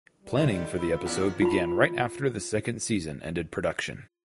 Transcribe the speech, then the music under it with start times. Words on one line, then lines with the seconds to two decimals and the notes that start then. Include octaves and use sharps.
Planning for the episode began right after the second season ended production.
0.19 G3
0.38 D#3 E3 A4 C6 G6
0.49 D#3
0.78 F4 B5 E6 B6
1.06 E2 C#4 F#4 D5
1.42 F4 B5